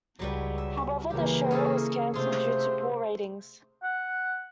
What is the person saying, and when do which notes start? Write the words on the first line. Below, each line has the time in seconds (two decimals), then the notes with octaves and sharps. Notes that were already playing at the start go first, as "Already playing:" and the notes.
However, the show was cancelled due to poor ratings.
0.19 C#2 F#3 G3 B4
0.58 E5
1.10 C#3 E3 A#3 G4
1.51 C#4 G#4 A4
2.14 C3 A3 F4 G#4 C5
3.83 F#5